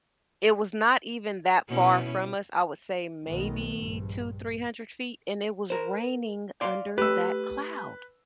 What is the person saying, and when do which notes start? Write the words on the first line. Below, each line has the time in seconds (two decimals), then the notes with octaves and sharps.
it was not even that far from us, I would say maybe two, three hundred feet, and it was raining under that cloud.
1.69 B2 C#4 E4
3.26 B1 G#2 D#3 A3 B3
3.77 A#1 G2
5.70 A#4 C5
6.61 D5 F5 C6
6.98 A3 G4 B4 E6